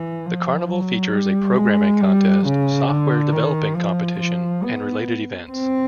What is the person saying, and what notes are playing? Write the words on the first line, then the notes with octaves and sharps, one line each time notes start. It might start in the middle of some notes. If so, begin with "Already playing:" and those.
The carnival features a programming contest, software developing competition, and related events.
Already playing: E3
F3
F#3
G3
G#3
G3
C#3
D3
D#3
F3
F3
B3
C4